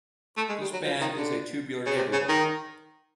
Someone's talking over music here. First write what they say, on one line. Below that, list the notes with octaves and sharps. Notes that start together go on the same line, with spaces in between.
This band is a tubular neighborhood.
A3
G#3
G3
F#3
F3
D#3
D3
C#3
C3
C#3
D#3